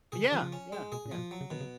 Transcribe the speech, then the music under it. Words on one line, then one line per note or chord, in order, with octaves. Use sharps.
yeah! Yeah, yeah.
B2 G#4
D#3
C#3
D#3 F3
C#3
C#4
G#3
B2 G#4
A#2
F3
B2
F#3
C#3
B2 D#3
C#3